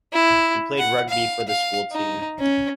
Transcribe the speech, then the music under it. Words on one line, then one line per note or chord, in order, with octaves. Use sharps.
He played rugby for the school team.
E4
F#5
F5
F5
D#4
C#4